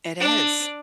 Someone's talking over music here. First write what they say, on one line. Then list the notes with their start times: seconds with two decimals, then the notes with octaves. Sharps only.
It is.
0.20 D4